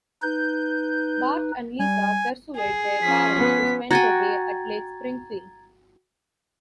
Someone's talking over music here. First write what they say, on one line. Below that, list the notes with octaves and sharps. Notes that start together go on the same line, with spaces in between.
Bart and Lisa persuade their parents to spend the day at Lake Springfield.
D#4 B4 G6
G3 G#5
G#4
F3 C#4 B6
B3
F#4 G5 G#5 A#5 G#6 A6